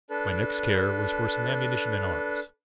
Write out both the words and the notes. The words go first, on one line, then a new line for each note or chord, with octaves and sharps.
My next care was for some ammunition and arms.
D4 A4 B4